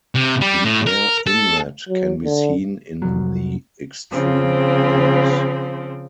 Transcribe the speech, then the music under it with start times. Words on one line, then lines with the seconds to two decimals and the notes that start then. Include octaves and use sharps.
The air inlet can be seen in the extreme nose.
0.15 C3
0.41 G3
0.65 A2
0.87 A#4
1.26 A4
1.89 F#3
2.24 D3
3.02 C2 F2 F#3
4.12 C#3 F3 C4